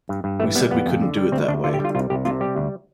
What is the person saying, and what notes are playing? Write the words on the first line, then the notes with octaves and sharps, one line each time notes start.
We said we couldn't do it that way.
G2
G2
E3 A3
G3 B3
F2 B3
F2
D3
G3
D2 C4
D2 D4
D3 F4
G4
G3
F4
C2 F4
C2 G4
C3 F4
G3 G4
D2